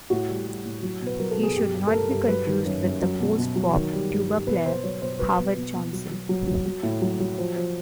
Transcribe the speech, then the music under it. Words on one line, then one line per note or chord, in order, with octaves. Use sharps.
He should not be confused with the post-bop tuba player, Howard Johnson.
A2 F#4
G3
G3
A2
F#3
B2 B4
F#3 A#4
A4
B2
G#4
G2 G4
G2
A4
G2 A#4
G2
F#3 B4
D#3
F#2
F#2
F#3
B2
B2
F#3
D#3
G3
G2
G3
B2 B4
B2 C5
F#3 C#5
B2 C5
F#3 B4
B2
B2
B2
F#3
F#3
F#3
F#3
F#3
A2
F#3
F#3
F3
F3